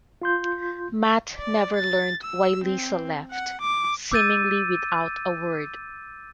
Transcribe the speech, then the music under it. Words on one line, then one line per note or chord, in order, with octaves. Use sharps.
Matt never learned why Lisa left, seemingly without a word.
F4 C6 G6
D5
A6
E6
C4
F#5
D6
D6 E6 G6 A6 D#7